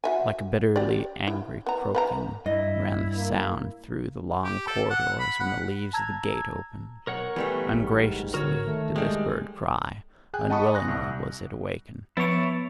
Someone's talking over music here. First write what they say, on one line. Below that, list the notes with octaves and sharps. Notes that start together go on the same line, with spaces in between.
Like a bitterly angry croaking ran the sound through the long corridors when the leaves of the gate opened: ungraciously did this bird cry, unwillingly was it awakened.
F#4 E5 G#5
G4 D5
E4
B3 A#5
B4 F#5 A#5
G2 E4 D#5
A#3
G4
A4
F#5
B5
F#5
A5 A#5 E6 G#6
B1 A#4 C#5 F#5
E3 G3 A3 B3
A1 G#2
D3 F#4 A#4 C#5
D#3 A3
D#2 G3 G#3
G#4 G5 G#5 F#6
D#5 F#5 A5 B5 C#6 D#6
G#5 C6 F#6 A#6
C2
F3 B3 E4 C#5 A6 D7